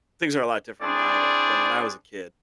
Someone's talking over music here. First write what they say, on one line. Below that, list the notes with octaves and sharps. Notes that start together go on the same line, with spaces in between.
Things are a lot different now than than when I was a kid,
C4 D4 E4 G#4 C5 D5